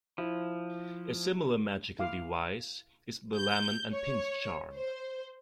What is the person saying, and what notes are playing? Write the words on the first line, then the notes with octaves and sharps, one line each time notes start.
A similar magical device is the "lemon and pins" charm.
F3 E4
E4 F5 D6
G6
C#5
C5